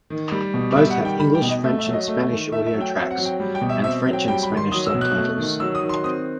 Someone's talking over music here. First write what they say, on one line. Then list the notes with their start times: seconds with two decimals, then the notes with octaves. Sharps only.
Both have English, French, and Spanish audio tracks and French and Spanish subtitles.
0.10 D#3
0.32 G3
0.54 B2
0.76 G3 E5
0.90 F#5
0.98 D#3
1.05 G5
1.20 G3 B5
1.35 G5
1.42 B2
1.49 D#5
1.64 A3 E5
1.79 E5
1.86 F#3
1.93 D#5
2.08 A3
2.30 D#3
2.52 A3 E5
2.66 E5
2.74 F#3
2.81 G5
2.96 C4 E5
3.11 F#5
3.18 F#3
3.25 G5
3.40 G3
3.55 G5
3.61 B2
3.69 E5
3.84 C4 E5
4.06 F#3
4.13 G5
4.28 G3 G5
4.43 B5
4.50 D#3
4.57 C6
4.72 F#3 D#6
4.87 E6
4.94 B2
5.01 F#6
5.16 A3
5.38 D#3
5.60 F#3 E6
5.75 D#6
5.82 D#3
5.89 C6
6.04 C4 D#6